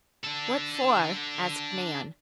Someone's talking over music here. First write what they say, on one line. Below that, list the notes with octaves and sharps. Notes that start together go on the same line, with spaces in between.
"What for?" asked Nan.
D4 A4